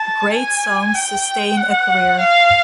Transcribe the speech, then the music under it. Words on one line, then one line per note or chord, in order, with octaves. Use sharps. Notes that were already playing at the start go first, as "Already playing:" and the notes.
Great songs sustain a career.
Already playing: A5
G#5
G5
F#5
F5